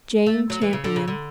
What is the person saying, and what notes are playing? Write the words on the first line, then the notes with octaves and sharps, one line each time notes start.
Jane Champion.
A3
F#3
E3
C#3
D3
C#3
D3